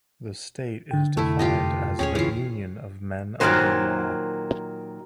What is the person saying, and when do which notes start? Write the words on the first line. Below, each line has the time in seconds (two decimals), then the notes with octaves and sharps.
The state is defined as the union of men under law.
0.91 D3 G5
1.17 F2 C3 A3 E4
1.39 F4 G4 D#5
1.99 D#2 A#2 C#4 G#4 C#5 G5
2.15 C#2 F#2 C#3 E3 F4
3.40 A#2 D#3 F#3 G#3 B3 C5